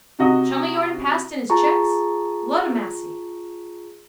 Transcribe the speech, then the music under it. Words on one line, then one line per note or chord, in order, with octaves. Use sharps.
Chum o' yourn passed in his checks? Ludamassy!
C3 F#4 D#5
F4 G#4 A5 A#5 C#6